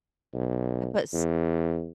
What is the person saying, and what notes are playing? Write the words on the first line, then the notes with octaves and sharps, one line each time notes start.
I put s
B1
E2